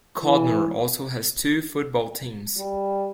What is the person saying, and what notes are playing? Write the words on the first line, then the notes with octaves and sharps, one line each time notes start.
Codnor also has two football teams.
E3
G3